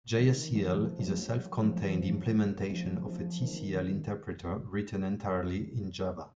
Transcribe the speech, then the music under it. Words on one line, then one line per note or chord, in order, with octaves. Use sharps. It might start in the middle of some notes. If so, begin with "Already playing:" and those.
Jacl is a self-contained implementation of a Tcl interpreter, written entirely in Java.
D#3
F3
F#3
F3
F#3
F3
E3
F3
F#3
F3
F3
D#3